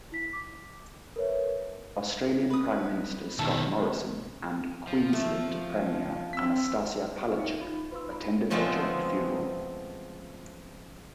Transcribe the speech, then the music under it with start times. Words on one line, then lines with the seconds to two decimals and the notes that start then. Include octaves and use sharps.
Australian Prime Minister Scott Morrison and Queensland Premier Annastacia Palaszczuk attended their joint funeral.
0.12 E4 B6
0.33 D6
1.16 A#4 B4 C#5 E5
2.50 B4 D#6
3.39 B2 D#3 E5 A5 C#6
4.87 F3
5.13 A3
6.33 C4 E6 B6
7.17 C#4 G4 G#4 F5
7.37 D#4 A#4 C#5 E5 F5 G5
7.61 D#4 F4
7.91 F4 B4 F5 C6 E6
8.10 A4 A#5 B5
8.50 C#3 F3 G#3 A3 B3 C4